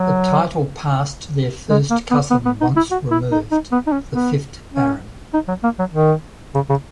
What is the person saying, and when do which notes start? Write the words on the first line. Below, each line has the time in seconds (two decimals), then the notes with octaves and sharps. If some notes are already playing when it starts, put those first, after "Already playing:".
The title passed to their first cousin once removed, the fifth Baron.
Already playing: F#3
1.70 G#3
1.90 A#3
2.11 B3
2.31 B3
2.46 B3
2.61 D#4
2.76 E4
2.91 F#4
3.11 E4
3.32 D#4
3.52 D#4
3.72 B3
3.87 D#4
3.92 C#4
4.13 B3
4.73 C#4
5.34 D#4
5.48 F#3
5.64 A#3
5.79 F#3
5.94 D#3
6.55 C#3
6.70 C#3